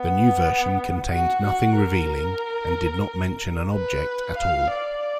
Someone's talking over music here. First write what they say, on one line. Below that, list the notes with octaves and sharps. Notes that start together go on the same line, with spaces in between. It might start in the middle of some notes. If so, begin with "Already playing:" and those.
The new version contained nothing revealing, and did not mention an object at all.
Already playing: B3
F#4
F#4
A#4
B4
F5
D5